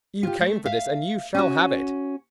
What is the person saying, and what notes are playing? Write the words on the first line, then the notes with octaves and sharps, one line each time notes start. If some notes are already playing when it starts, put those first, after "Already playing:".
You came for this, and you shall have it!
F4 G4
A3
E5 F5
C#4 F#4